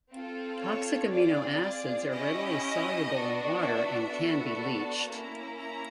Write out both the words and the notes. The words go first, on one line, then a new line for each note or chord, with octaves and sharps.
Toxic amino acids are readily soluble in water and can be leached.
C4 F4 A4
C#5
C4 F4 G#4 D5
D5
C#4 E4 G4 D#5
B3 D4 F#4
E5
B3 D4 F#4 A4
A5
A#3 C#4 E4 A#5
A#5